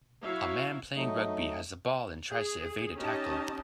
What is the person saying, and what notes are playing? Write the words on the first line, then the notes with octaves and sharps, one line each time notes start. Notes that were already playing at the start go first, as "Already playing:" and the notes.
A man playing rugby has the ball and tries to evade a tackler.
F#3 E4 F#4 C#5 E5 F5
F#3 A3 D#4 D#5
G#4
C#4 D#4 G4 D#5 A5